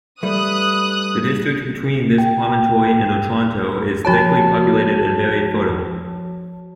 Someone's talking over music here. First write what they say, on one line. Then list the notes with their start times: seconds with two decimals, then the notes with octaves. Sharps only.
The district between this promontory and Otranto is thickly populated and very fertile.
0.23 G3 A3 B4 D#6 F#6
2.18 G5
4.05 F3 F#4 C#5 A5